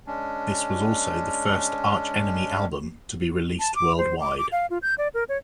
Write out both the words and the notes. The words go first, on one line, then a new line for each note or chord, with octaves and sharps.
This was also the first Arch Enemy album to be released worldwide.
G#3 C#4 D4
A5
D6
C5
D6
D6
F5
F4
G6
D5
A#4
C#5